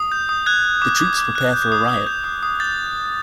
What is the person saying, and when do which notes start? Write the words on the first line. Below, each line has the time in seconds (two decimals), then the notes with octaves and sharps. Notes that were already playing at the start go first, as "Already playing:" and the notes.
The troops prepare for a riot.
Already playing: D#6
0.12 G6
0.29 D#6
0.46 F#6 G#6
0.64 F#6
0.82 D6
1.00 D6
1.18 D6
1.35 F#6
1.53 G6
1.72 D#6
1.89 D#6
2.07 G6
2.24 D#6
2.43 D#6
2.60 G6 A6